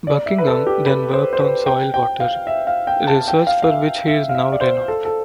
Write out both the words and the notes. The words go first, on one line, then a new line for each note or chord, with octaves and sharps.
Buckingham then worked on soil water, research for which he is now renowned.
D5
E5
B4
A4
G4
B4
C5
C5
B4
G5
G5
F5
E5
F5
G5
A5
G5
F5
F5
E5
E5
F5
E5
D5
C5
A4
A4